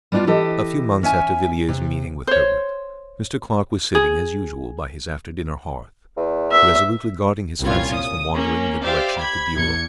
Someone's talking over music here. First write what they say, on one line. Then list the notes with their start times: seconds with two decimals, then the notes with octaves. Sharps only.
A few months after Villiers' meeting with Herbert, Mr. Clarke was sitting, as usual, by his after-dinner hearth, resolutely guarding his fancies from wandering in the direction of the bureau.
0.12 G3 B3 D4 D#4 F4
0.27 E3 G4 A4 D#5
1.03 C#4 E5 G#5
1.69 C3
2.27 C5 C#5
3.95 G#4
6.17 E2
6.52 E5
7.61 C2 A#2 C#4 F4 G#6
7.93 D#6
8.32 A#3 C#4
8.82 G4 C5 D5 E5 F5
9.17 B5 G#6
9.55 E2 G#6 C#7